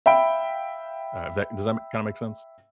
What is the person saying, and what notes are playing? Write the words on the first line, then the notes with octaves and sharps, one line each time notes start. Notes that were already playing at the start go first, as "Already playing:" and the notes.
Uh, if that does that ma kinda make sense?
E5 F5 G5 B5 D7